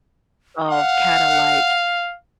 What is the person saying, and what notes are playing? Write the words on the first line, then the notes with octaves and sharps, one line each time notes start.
of kinda, like,
F5 F#5